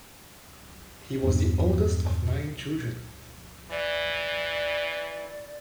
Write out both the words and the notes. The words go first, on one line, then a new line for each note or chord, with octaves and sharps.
He was the oldest of nine children.
E2 G2
E3 D5